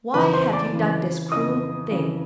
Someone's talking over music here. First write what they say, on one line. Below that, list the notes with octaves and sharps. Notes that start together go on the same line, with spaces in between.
"Why have you done this cruel thing?"
F2 C#3 E3 B4 B5
C5 C6
D5 D6
F2 C#3 E3
F2 C#3 E3 D#5 D#6
F2 C#3 E3